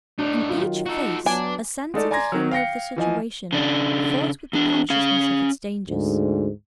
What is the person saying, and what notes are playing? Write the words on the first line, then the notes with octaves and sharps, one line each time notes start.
In each face a sense of the humor of the situation fought with the consciousness of its dangers.
A2 D4 D#4
D#3 F#3 F4
D#4 F#4 A4
F#3 B3 D4 G#5
G#3 A3 D#4 A4 D5
D5 G#5 A#5 C6 G#6 A#6
D#3 F#3
F5 G5 A#6 C#7
E3 F3 D#5 G#5
C#3 D4
E2 D4
C#4 F5
D2 G#2